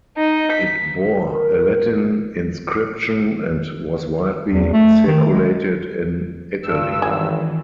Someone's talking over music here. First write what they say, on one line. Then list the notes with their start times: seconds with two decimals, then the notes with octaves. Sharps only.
It bore a Latin inscription and was widely circulated in Italy.
0.17 D#4
0.52 B6
1.31 A#4
4.52 E2
4.73 A3
5.07 D#3
5.33 G#3
6.63 G2 E6
7.02 G#1 D#3 E3 G#4